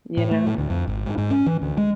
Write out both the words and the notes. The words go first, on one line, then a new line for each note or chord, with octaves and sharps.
you know?
A2
A3
A2
D2
F2
G#1
G#2
G#2
C#4
E3
D2
G#3